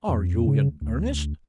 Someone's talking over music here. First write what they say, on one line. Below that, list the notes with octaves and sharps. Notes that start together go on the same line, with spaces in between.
"Are you in earnest?"
F2
C#3
D2
D2